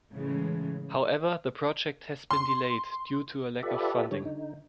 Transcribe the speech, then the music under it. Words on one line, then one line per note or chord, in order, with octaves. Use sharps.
However, the project has been delayed due to a lack of funding.
A2 C#3 E3 G#3
C6
F4 G4 A4 B4 D5 E5
D3 G3 C#5
D3 D#4